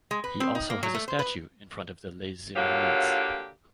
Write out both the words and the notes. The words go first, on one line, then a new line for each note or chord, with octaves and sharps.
He also has a statue in front of the Les Invalides.
G#3
B4
C4
D#4
A#3
F#3
A3
C5
B4
D3 F#3 A#3 F4 G4